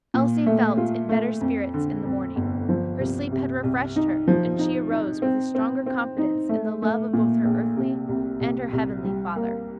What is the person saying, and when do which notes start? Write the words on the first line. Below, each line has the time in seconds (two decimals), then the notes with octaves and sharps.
Elsie felt in better spirits in the morning; her sleep had refreshed her, and she arose with a stronger confidence in the love of both her earthly and her heavenly Father.
0.14 A#2
0.46 A3
0.77 F4
1.09 A3
1.41 F2
1.74 D3
2.05 F2
2.36 G1
2.69 F3
3.00 C2
3.32 C3
3.63 C2
3.96 D#4
4.27 F3
4.59 D#4
4.91 D#4
5.22 C4
5.55 C4
5.86 C4
6.18 D#4
6.49 A3
6.82 A3
7.13 A#2
7.45 A#1
7.77 C3
8.09 C2
8.41 C2
8.73 C2
9.04 G3
9.36 A#3